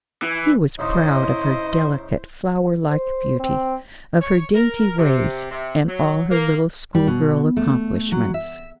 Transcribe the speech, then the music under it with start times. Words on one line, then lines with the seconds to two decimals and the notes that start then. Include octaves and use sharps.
He was proud of her delicate, flower-like beauty, of her dainty ways, and all her little schoolgirl accomplishments.
0.23 E3
0.79 F#2 C#3 D#4 E4 C5 D#5 C6
2.90 C5
3.40 C4
4.21 C#5
4.55 A#4
4.98 C3
5.51 C3
5.88 F#3
6.30 A#3
6.95 G3
7.07 B2
7.57 A3
8.12 F#3
8.34 E5